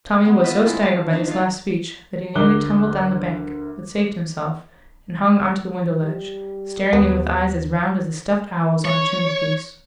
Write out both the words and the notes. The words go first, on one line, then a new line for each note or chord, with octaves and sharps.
Tommy was so staggered by this last speech that he nearly tumbled down the bank, but saved himself, and hung onto the window ledge, staring in with eyes as round as the stuffed owl's on the chimney-piece.
B3
F4 D#5 E5
G#3 C4 E4
C5 F5 A5
D4 D#4 C5
F4 F5
D2 A#4 D6 F#6 G7
G3
D#2 B3
C#5